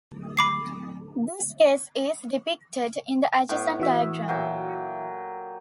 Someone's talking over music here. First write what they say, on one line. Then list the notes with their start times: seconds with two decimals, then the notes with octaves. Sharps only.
This case is depicted in the adjacent diagram.
0.37 B5 D6 C7
3.49 A2 B3
3.80 E3 F#4 E5
4.28 A#2 F#3 G5